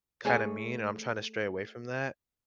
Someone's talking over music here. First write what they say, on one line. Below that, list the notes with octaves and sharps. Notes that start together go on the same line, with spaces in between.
kinda mean, and I'm trying to stray away from that.
A3 G#4 C#5 G#5